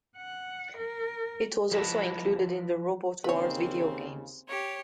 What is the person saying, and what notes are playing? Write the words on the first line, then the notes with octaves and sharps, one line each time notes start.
It was also included in the "Robot Wars" video games.
F#5
A#4
F3 E4 B4 D#5 A5
D#2 C#3 C4 B4 C#5
G4 C#5